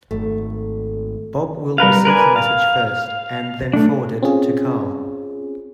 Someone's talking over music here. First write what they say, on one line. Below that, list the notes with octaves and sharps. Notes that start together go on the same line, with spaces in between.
Bob will receive the message first and then forward it to Carl.
G#1 A3
G3 A#4 B4 F5
A#4 B4 D5 G#5
F5
A3 D4
C4 C#4 F4 G#4